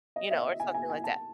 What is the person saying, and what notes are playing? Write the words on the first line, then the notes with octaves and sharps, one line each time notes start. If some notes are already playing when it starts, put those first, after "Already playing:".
you know, or something like that.
D#5
E5
G#5
G#5
G#5
A5